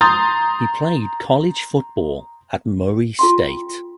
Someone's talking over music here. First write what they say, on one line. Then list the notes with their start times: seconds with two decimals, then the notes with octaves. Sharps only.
He played college football at Murray State.
0.01 A#5 C6 D#6 G6 A6
3.19 F4 G5 C6